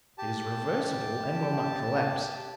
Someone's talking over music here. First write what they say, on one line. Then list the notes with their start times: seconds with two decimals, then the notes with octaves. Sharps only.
It is reversible and will not collapse.
0.18 G4 A5